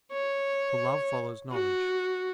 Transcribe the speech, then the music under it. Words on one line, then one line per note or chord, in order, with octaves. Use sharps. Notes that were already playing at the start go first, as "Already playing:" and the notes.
For love follows knowledge.
C#5
F#4